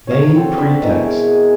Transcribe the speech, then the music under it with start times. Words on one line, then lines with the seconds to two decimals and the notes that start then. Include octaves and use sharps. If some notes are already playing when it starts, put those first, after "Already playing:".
Vain pretext!
0.07 C#5 F5
0.36 C4 F#4 A4 C5
0.58 D4 C5 B5
0.82 B2 E3 A#4 C#6
1.03 G#4